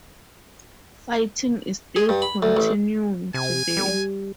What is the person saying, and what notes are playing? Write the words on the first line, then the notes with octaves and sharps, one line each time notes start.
Fighting is still continuing today.
G#4
G2
B5
D2
A1
C3 G#5
G3